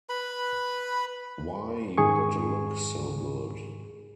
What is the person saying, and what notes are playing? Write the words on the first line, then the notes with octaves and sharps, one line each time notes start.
Why You Gotta Look So Good?
B4 B5
G#2 D#3 G#4 C#6